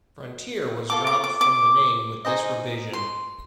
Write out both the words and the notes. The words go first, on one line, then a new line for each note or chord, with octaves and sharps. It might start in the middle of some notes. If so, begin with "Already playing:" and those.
"Frontier" was dropped from the name with this revision.
F4 A4 D6
D6
D6
D6
D#4 G#4 C5 D#5
C6